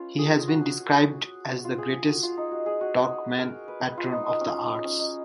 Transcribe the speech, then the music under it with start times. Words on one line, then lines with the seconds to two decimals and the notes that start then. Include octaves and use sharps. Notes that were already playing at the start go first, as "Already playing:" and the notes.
He has been described as the greatest Turkmen patron of the arts.
Already playing: C#4 F4 B4 C#5
0.19 G#4
0.48 F#4
1.65 F4
1.78 G#4
1.93 G#4
2.08 F#4
2.23 F4
2.37 D#4
2.51 F#4
2.66 G#4
2.81 F#4
3.39 A#4
3.68 B4
3.98 F4
4.12 D#4
4.26 D#4
4.41 C#4
4.70 C#4
4.84 C#4
4.99 D#4